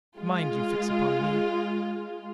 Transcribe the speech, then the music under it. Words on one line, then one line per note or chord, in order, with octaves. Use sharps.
Mind you fix upon me!
G#3 F4